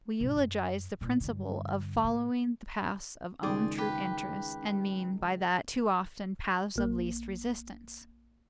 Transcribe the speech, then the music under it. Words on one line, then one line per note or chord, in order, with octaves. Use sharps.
We eulogize the principle of following the paths of own true interest and mean by that too often paths of least resistance.
B1 G#2
F#2
A1 A#2
G2 D3
A2
C#2 D#3 G#4 C5 D5
G4 B4
A#1 A#3